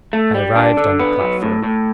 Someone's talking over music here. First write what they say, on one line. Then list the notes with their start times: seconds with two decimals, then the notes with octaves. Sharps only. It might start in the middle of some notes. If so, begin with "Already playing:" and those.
I arrived on the platform.
0.13 A3
0.34 G3
0.55 D4
0.77 D3
1.00 B3
1.21 F#3
1.42 A2
1.63 A2